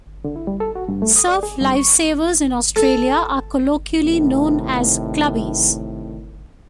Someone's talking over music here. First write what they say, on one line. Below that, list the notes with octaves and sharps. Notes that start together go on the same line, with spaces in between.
Surf lifesavers in Australia are colloquially known as "Clubbies".
D3
E4
G3
A4
F#4
G2
A3
D#6
D5
G#4
G2
C#6
A4
A2 C3 D#3